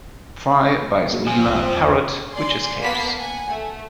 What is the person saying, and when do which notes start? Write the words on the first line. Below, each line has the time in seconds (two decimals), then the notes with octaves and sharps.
Fry buys Leela a parrot, which escapes.
1.13 A#3 F#4 G#4
1.27 F3 C4 G#5
1.47 C2
1.64 C5 G5
1.76 E2 D6
2.33 D5 G#5 C6
2.81 A#3 B3 F5 A5 B6
3.16 F#5 G#5
3.49 A3